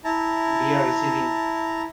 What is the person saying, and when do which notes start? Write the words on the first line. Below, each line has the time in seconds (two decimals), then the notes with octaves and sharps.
We are receiving.
0.04 E4 A5 A#5